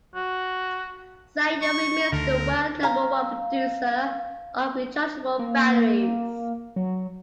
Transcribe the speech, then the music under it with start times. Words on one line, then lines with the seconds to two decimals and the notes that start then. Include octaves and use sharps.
Sanyo remains the world number one producer of rechargeable batteries.
0.15 F#4
1.62 C#6
2.12 D2 D3 A#4
2.83 F5 A#5
5.39 A#3
6.76 F#3